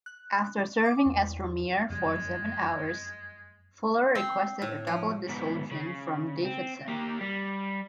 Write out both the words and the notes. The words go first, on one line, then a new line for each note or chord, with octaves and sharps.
After serving as Premier for seven hours, Fuller requested a double-dissolution from Davidson.
F#6
D6
E2
F#1 F2 G3 G#3
C4
A2
F3
G#2 B3
C#3
C4
A#3 G4
G3